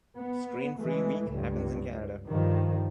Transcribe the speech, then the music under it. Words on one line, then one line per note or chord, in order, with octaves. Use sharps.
Screen Free week happens in Canada.
B3
E3 G#3 A3
C#2 G2
G2 D#3 F3